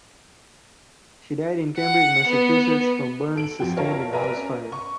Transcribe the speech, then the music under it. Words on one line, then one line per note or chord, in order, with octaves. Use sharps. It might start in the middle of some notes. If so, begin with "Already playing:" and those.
She died in Cambridge, Massachusetts, from burns sustained in a house fire.
F#5
B3
A4 D7 F#7
F2 F3 G5
A#4 C#5 E5 F5 A5
A#4 B4 D5 E5 G#5 A#5
C#4
C#6